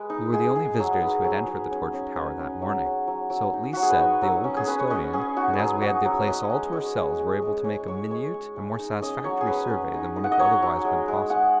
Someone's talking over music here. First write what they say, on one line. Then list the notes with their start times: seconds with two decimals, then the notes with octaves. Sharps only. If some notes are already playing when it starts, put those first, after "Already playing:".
We were the only visitors who had entered the Torture Tower that morning--so at least said the old custodian--and as we had the place all to ourselves were able to make a minute and more satisfactory survey than would have otherwise been possible.
Already playing: G#3 B4
0.10 D#4
0.33 G#3 G#4
0.55 G#3 G#4
0.79 F#3 G#4
1.01 D#4 B4
1.24 F#3 G#4
1.47 F#3
1.71 C#4
1.93 C#4
2.16 C#4 B4
2.39 C#4
2.62 F#3
2.85 C#4
3.07 F#3
3.30 F#3
3.53 D#4
3.73 F#3 F#4
3.82 G#4
3.90 B4
3.99 D#4 C#5
4.22 F#3
4.44 C#4
4.57 G#4
4.67 C#4 B4
4.79 C#5
4.90 C#4 D#5
5.13 C#4 G#4
5.36 D#4 F#4
5.53 B4
5.59 F#3 G#4
5.81 D#4 F#4
6.05 F#3
6.28 C#4 D#5
6.50 G#3 D#5
6.73 G#3 C#5
6.95 G#3
7.20 G#3
7.42 G#3
7.64 G#3 C#5
7.87 G#3 C#5
8.10 G#3 C#5
8.34 G#3
8.56 G#3
8.79 D#4
9.02 C#4 D#5
9.24 F#3 C#5
9.41 G#4
9.47 C#4 B4
9.70 C#4
9.94 D#4
10.16 D#4
10.24 F#5
10.32 D#5
10.40 F#3 C#5
10.62 F#3
10.85 G#3
11.08 G#3
11.30 G#3 F#5